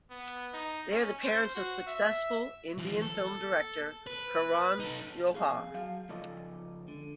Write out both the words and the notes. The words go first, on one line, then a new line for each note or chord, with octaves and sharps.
They are the parents of successful Indian film director Karan Johar.
B3
D#4
C#4
C5
F#4
E5
E3 F3
A4
B4
D#4 A4
F2 G#4 F5
F#3 F5
C#2 F3 A4 D5 D#5
D3